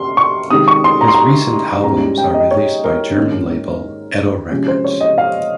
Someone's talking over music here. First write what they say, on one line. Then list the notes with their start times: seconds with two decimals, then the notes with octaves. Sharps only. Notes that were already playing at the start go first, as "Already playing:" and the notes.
His recent albums are released by German label, Edel Records.
Already playing: C6
0.17 C#6
0.50 C3 D#3 G#3 D#6
0.68 C#6
0.84 C6
1.01 A#5
1.08 C6
1.15 A#5
1.84 G#2 G3 C#4 A#5
2.18 G5
2.34 D#5
2.51 C#5
2.84 A#4
3.18 G#2 D#3 A#3 C#4
4.51 C3 F3 G#3 C#4
4.68 C5
4.84 C#5
5.01 D#5
5.18 F5